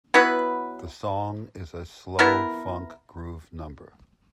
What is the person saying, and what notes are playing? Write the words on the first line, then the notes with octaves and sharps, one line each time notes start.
The song is a slow funk groove number.
F#3 B3 E4 B4
B3 E4 A#4